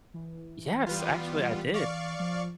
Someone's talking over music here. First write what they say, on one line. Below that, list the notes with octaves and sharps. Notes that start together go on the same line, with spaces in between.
Yes, actually, I did.
E3
G3 B3 F4
D5 F5 C#6
F3